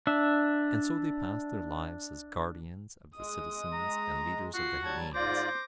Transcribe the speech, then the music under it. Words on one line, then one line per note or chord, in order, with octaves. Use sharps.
And so they passed their lives as guardians of the citizens and leaders of the Hellenes.
D4 E5
G#3 D#6
A#5
F4 F#4 C7
F#3 G3 A5 G#6
G#2 F4 C5 D5 D6 A#6